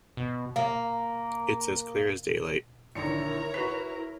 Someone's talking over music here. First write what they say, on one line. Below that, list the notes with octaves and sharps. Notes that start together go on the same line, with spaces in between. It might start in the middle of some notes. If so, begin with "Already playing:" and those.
It’s as clear as daylight.
B2
A#3
A#1 D3 D#3 E4 A#4 C#5 A#5 C#7
F#4 B4 B6